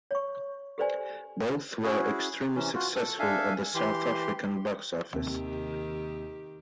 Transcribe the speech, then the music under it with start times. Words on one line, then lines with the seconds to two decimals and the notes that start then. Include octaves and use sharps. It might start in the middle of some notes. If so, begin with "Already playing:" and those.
Both were extremely successful at the South African box office.
0.11 C#5 C#6
0.78 G4 A4 B4 C5 D5 G#5
1.83 C#4 E4 F#4 G#4
2.56 C3 E3 C#4
2.75 F4 F#4
2.95 A4
3.19 D4 A4 E5 F5 G#5
3.75 E3 G4 C6
5.13 D#2 C3 D#3 G4